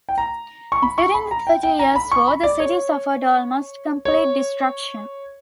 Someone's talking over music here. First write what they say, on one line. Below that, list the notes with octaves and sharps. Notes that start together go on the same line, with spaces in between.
During the Thirty Years' War the city suffered almost complete destruction.
G5
A#5
C#6
B5
C#6
B5
A#5
G5
G5
A#5
B5
C#6
B5
D5
C#5
C#5